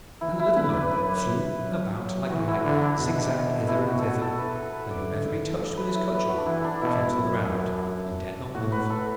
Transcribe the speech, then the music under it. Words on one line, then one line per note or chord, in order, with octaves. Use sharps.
Then the Little Man flew about like lightning, zig-zag, hither and thither, and whomever he touched with his cudgel fell to the ground, and dared not move.
E3 E4
E4
D3 B4
B4 D5
F#2 B4
F#3
F#3
E3 F#4
E4
D3
D4
B2
E4
F#4
F#4 A4
A4
B4
A4
B4
D5
D3
E3
F#3 B4
E4
B4
F#4
D4
E3 E4
D4
B2 E4
F#2
A2 F#4
B4
A4